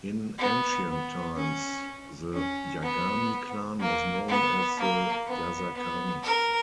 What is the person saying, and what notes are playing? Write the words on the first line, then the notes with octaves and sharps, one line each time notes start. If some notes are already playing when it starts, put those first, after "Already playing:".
In ancient times, the Yagami clan was known as the Yasakani.
B3
B3
C#4
C#4
B3
A#3
B3
A#3
B3
B3
A#4